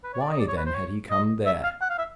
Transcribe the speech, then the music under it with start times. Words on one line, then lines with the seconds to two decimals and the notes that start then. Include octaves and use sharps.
Why, then, had he come there?
0.04 B4
0.13 C#5
0.21 D5
0.31 D#5
0.39 D5
0.48 C#5
0.57 B4
0.66 C5
0.75 C#5
1.11 D#5
1.46 E5
1.64 F5
1.81 F#5
1.90 F5
1.98 E5